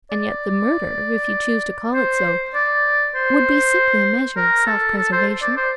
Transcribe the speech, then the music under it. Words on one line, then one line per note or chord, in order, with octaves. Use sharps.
"And yet the murder, if you choose to call it so, would be simply a measure of self-preservation."
D5
C5
D5
C5
A#4
A4
A4
C5
D5
C5